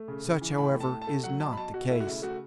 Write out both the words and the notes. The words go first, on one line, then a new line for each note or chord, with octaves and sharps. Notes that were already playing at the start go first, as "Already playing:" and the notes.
Such, however, is not the case.
Already playing: A3
C#3
C#3
E3
A2 B5
A3
A5
A2
A5
A3
F#3 F#5
B2 A5
B5
B2 A5
B2 F#4
A3 E4
F#4
C#3 E4
A3 F#4